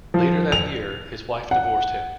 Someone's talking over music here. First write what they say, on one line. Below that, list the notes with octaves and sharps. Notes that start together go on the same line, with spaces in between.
Later that year, his wife divorced him.
F3
F7
F#5